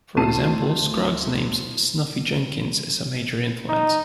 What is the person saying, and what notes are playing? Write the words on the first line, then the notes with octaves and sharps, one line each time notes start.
For example, Scruggs names Snuffy Jenkins as a major influence.
D2 E4 A5 C7 D#7
D#4